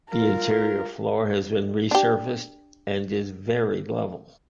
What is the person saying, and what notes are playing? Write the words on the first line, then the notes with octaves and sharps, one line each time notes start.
The interior floor has been resurfaced and is very level.
F4 A#4
D4 G4